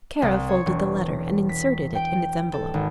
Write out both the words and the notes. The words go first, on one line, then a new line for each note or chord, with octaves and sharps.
Kara folded the letter and inserted it in its envelope.
C2
C#5
E1
B6
G5
A4
G#1